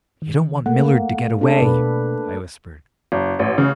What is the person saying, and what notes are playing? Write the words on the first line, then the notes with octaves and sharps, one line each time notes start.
"You don't want Millard to get away," I whispered.
D#3
A3 A#3 F#5
D4 A4
B2 B4
F#1
A1
C#3